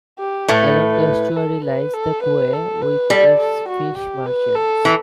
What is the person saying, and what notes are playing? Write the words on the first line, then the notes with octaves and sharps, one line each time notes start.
Along the estuary lies the quay with its fish merchants.
G4
A2 A3 B4
B4
A4
B4
A4
B4
A4
B4
G3 A4
A4
F#4
G4
B4
A4
E3